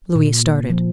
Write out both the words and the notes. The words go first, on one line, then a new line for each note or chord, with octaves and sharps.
Louis started.
A#2
F3